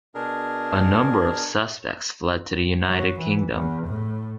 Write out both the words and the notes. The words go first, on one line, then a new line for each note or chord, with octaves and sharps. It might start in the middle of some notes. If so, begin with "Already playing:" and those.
A number of suspects fled to the United Kingdom.
B2 D4 G#4 A#4
F#3
E3
E2
A2